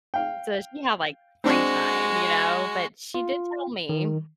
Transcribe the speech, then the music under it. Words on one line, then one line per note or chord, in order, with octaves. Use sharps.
So, she had, like, free time, you know? But she did tell me
F5 G5
G#3 C4 D4 F#4
F4
D#3